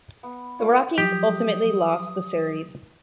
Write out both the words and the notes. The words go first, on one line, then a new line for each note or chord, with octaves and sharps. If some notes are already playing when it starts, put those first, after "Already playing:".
The Rockies ultimately lost the series.
B3
F4 C#5 D5 F5
F3 F#3 G4 D#6